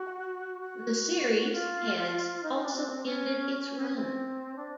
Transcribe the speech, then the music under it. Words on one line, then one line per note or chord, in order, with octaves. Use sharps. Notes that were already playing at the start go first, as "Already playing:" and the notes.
The series has also ended its run.
Already playing: F#4
F#4
F4
D#4
D#4
D4
C4
C4
C#4
C#4
B3
C#4
C4
D4